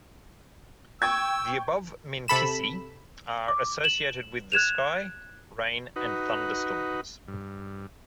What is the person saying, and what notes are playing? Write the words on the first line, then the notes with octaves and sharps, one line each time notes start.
The above minkisi are associated with the sky, rain, and thunderstorms.
G5 C#6 E6 G#6
C3 A4 B5 E7
D6
E7 F#7
F#6 G#6 E7 F7
D#4 F#4 B4
G2